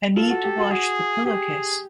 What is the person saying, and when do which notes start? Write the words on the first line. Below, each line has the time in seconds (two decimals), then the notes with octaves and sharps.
I need to wash the pillow case.
0.16 F4 A4
0.30 F#4
0.44 G4
0.58 F#4
0.71 F#4 G#4
1.25 G4 G#4